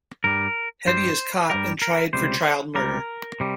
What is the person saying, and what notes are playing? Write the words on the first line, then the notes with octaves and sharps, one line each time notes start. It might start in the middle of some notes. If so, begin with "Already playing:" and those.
Hetty is caught and tried for child murder.
G2 G3 A#4
G2 G3 C5
G2 G3 A#4
A#4
C#2 C3 G3 C5
C#2 C3 G3 A#4
C3 G3